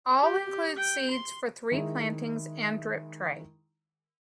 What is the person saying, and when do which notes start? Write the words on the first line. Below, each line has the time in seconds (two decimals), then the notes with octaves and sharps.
All include seeds for three plantings and drip tray.
0.22 G4
0.77 G5
1.11 C6
1.72 D#3 G#3 E4